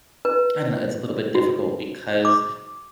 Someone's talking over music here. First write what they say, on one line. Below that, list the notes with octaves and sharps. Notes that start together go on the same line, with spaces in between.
I don't know, it's a little bit difficult because
B4
F#4
D6